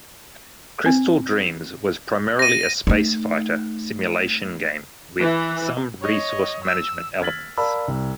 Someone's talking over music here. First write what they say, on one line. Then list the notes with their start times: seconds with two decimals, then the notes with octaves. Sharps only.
Crystal Dreams was primarily a space fighter simulation game with some resource management elements.
0.86 C4
2.39 A#6 D#7
2.87 A3 D#4
5.21 E3
6.01 C#5 D#5
6.65 E6
7.21 E6 F6 G#6 A6 B6 F#7
7.57 A#4 D5 F5 A5 B5 E6
7.88 C2